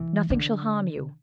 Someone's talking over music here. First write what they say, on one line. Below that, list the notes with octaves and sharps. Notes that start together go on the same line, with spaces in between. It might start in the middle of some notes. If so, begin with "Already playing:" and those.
Nothing shall harm you.
Already playing: E3
D3